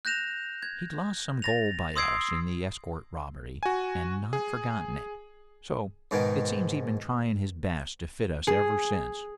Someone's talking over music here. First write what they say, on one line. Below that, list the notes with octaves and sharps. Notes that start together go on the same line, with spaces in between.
He'd lost some gold by us in the escort robbery, and not forgotten it; so it seems he'd been trying his best to fit us ever since.
F#6 G6 A#6 E7 F7
G#6
A6 A#6 F7
C6 D#6 E6 G#6 C7 D7
F#4 G#5
G#4
G#2 B2 D#3
G#4